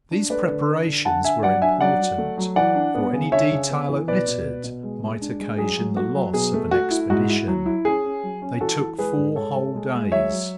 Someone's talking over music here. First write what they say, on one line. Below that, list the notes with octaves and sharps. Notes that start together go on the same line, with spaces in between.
These preparations were important, for any detail omitted might occasion the loss of an expedition; they took four whole days.
D4
A3 B4 D5
D3
D4
D3
D3 F#5 A5
D4 E5 G#5
F#3 D5 F#5
D4 E5 G#5
F#3 D5 F#5
F#3
A3
F#3
E3 D5 F#5
D4
B3
C#3
D4 C#5 E5
C#3
B3
E3
B2 B4 D5
B2
B2
B2
G#3
G#3
D4
G#3
F#3 G#4
F#3
A3 F#4
F#3
B2 G#4
A3
A3 F#4
E4
G#2 F#4
E4
F#3
E4
C#4 G#4
C#4
F#3
C#4
E3 F#4 A4
E3
G#3 G#4 B4
G#2
G#3 A4 C#5
G#3
G#3
G#3
F#3 C#5 E5
F#3